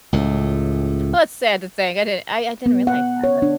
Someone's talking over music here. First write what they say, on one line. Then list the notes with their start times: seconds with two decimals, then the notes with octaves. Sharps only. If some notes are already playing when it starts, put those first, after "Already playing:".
it's sad to think, I didn't I I didn't realize that,
0.13 C#2 A2
2.66 B3
2.87 F#5
3.24 C#5
3.42 D4